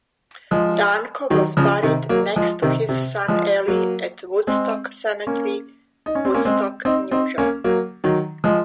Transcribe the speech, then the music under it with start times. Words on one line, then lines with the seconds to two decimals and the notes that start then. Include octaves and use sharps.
Danko was buried next to his son Eli at Woodstock Cemetery, Woodstock, New York.
0.51 F3 G#3
1.30 D#3 F#3
1.57 C#3 F3
1.83 C3 D#3
2.09 F#3 A#3
2.36 F3 G#3
2.62 C3 D#3
2.89 C3
3.28 F3 G#3
3.68 F#3 A#3
4.47 G#3 C4
5.27 A#3 C#4
6.06 D#4
6.15 C#4
6.25 C4
6.34 A#3 C#4
6.45 G#3 C4
6.85 C4 D#4
7.11 C4 D#4
7.38 A#3 C#4
7.64 F#3 A#3
8.04 D#3 F#3
8.44 F3 G#3